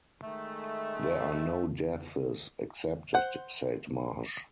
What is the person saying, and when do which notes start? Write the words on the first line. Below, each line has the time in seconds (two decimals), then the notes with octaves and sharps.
"There are no deaths expected," said Marsh.
0.23 D#3 G#3 A3
3.14 C5 F#5